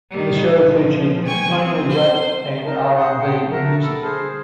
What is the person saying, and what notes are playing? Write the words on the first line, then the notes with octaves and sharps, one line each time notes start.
The show featured mainly rap and R and B Music.
D#3 G3
F3
G5 G#5 C#6 G#6
C4
C5
D#4 A#4 A5
C5 F#5 D#6
F#5 G5 A5
F#4 A#4 E5 A5
A4 B5
G#4 C5 A5 F6